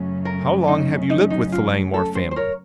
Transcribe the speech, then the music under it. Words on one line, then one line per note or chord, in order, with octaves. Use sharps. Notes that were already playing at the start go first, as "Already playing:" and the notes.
"How long have you lived with the Langmore family?"
Already playing: F#2 C#3 F#3 A3 C#4
A#4
D#4
D#4
D#4
F4
A4
C5
C5
A#4 C#5